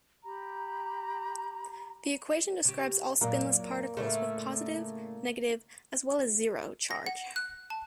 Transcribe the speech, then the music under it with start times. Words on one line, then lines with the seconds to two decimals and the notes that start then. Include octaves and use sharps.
The equation describes all spinless particles with positive, negative as well as zero charge.
0.24 G4 A#5 B5
2.65 C#3 G4
3.21 F#2 A#2 F#3 A#3 D5
3.97 A2 C#3 A3
6.91 A#6
7.06 F#5
7.36 F#6
7.70 A5